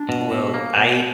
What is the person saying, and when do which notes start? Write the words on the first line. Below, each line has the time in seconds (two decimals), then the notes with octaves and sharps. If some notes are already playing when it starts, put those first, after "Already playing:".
Well, I
Already playing: D4
0.09 B2
0.31 B2
0.54 A#3
0.77 B2